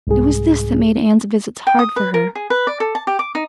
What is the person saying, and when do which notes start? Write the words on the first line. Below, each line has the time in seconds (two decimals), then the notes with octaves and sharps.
It was this that made Anne's visits hard for her.
0.07 C2 G#2 G#4
1.67 G5
1.79 D#6
1.96 B4
2.14 A#4
2.35 G#4
2.50 B4
2.67 D5
2.80 A4
2.95 A5
3.07 G4
3.19 D6
3.35 D#4